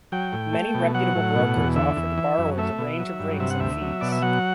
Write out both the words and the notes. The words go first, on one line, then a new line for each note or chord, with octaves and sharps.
Many reputable brokers offer the borrowers a range of rates and fees.
F#3 G5
A2
A3
B2
F#3 F#5
A2
B2
E2
D3 E5
E2
E3
F#2
A3 E5
B2
F#3
G2
C3 E5
F#5
D2 E5
F#3
B2 D5
E5
F#3 F#5